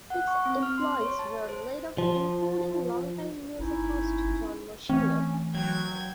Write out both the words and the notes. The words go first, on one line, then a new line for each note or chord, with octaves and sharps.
Six employees were laid off including long-time music host Jon Moshier.
F#5
C#6
C4
F6
C6
C#5
A5
C5
F3
G1 C#4 D#4 E4
E3 A3 C4 C#4
F#3 G5 G#6